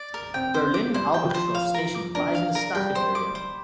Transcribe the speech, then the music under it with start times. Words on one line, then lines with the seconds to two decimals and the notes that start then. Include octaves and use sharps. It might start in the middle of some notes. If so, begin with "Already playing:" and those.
Berlin-Albrechtshof station also lies in the Staaken area.
Already playing: D5
0.14 A#4
0.34 C4 G5
0.54 C5
0.74 D6
0.94 G3 C5
1.14 G5
1.25 F3
1.34 C5
1.55 F5
1.74 A#4
1.94 D6
2.15 D4 A#4
2.35 F5
2.55 A#4
2.75 G3 G5
2.95 C5
3.15 D6
3.35 C5